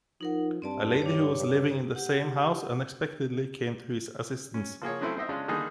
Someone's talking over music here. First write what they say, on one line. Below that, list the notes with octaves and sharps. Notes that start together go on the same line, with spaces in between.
A lady who was living in the same house unexpectedly came to his assistance.
F3 D#4 A#4 F#5
G2 C4 D5 A5
D4 C#5
G4 F#5
C#4
F3 A#3 G#4 C#5
C#3 F#3 A3 C4 C#4 E4
C4 D#4 C5 D#5 E5
G#3 C#4 D4 F4
D3 D#3 G3 A#3 D#4 G#4